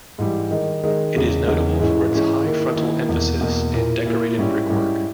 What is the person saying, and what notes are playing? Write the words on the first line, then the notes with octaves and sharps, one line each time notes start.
It is notable for its high frontal emphasis and decorated brickwork.
G#2 E3 G3
D#3 G#3 D#4
D#3 G#3 D#4
E2 C#3 G#3
E2 C#3 G#3
G#2 E3 G#3 C#4 E4
G#2 E3 G#3 C#4 E4
D#3 A#3 E4
D#3 A#3 E4
E2 B2 A#3
E2 B2 A#3
A#2 A#3 E4
A#2 A#3 E4
G#2 G3 C#4 E4
G#2 G3 C#4 E4